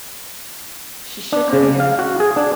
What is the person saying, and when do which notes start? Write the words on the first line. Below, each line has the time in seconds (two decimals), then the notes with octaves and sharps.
She shook her head.
1.32 D4
1.53 C#3
1.80 F5
1.99 F#4
2.20 G#4
2.36 D4